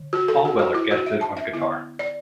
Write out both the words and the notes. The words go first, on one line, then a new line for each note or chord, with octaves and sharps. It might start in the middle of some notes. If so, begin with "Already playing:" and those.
Paul Weller guested on guitar.
Already playing: D3
F#4
A4
F#4
F#4
E4
F#4
E5
A5
E5
D3 B3 E4
D5